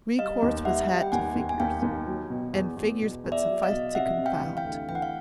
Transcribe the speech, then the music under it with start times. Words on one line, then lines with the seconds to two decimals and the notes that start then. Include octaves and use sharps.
Recourse was had to figures; and figures but sufficed to confound.
0.18 G3 D#5 F5
0.42 D#2
0.65 G3 E5 F#5
0.89 G3
1.02 G5
1.12 D#2 F#5 G#5
1.35 D#2
1.49 G#5
1.60 D#2 F5 G5
1.82 D#2
2.06 F#3
2.30 B2
2.53 E2
2.77 E2
3.01 B2
3.24 E2
3.32 D5 E5
3.48 F#3
3.63 D#5 F5
3.71 B2
3.95 C3 E5 F#5
4.18 C3
4.26 F5 G5
4.41 E3
4.57 F5 G5
4.65 D2
4.89 E3 G5
4.95 F#5
5.02 F5